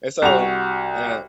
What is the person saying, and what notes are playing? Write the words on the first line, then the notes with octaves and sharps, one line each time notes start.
and so and,
C2 F#4 F7